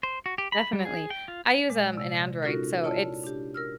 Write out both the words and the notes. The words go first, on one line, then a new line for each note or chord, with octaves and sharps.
definitely. I use, um, an Android, so it's
C5
F#4
G4
B5
G3
G#4
G5
F4
A#2 G#3
C3 D5
C#4 D#4 F4 F#4 A4 A#4
E4 F4 C#5 D5 A5
D4 G4
A#4 E6 F6